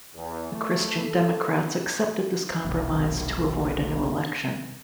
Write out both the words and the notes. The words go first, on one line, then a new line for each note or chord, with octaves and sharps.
The Christian Democrats accepted this compromise to avoid a new election.
E2
A3
A4
F1 B1